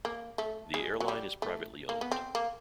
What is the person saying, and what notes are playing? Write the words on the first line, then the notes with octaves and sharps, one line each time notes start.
The airline is privately owned.
A#3
A3
G#3
F#3
G3
A3
A#3
B3
C4
A#3